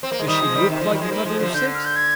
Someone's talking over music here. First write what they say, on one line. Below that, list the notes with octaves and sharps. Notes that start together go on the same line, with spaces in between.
'Does SHE look like the mother of six?'
C4
A#3
G#3
D#3 G3 D#6
F3 G#3
D#3 G3
C3 D#3
D3 F3
D#3 G3
F3 G#3
G3 A#3
F3 G#3
D3 F3
C3
D3 G6
F6
G6
G#6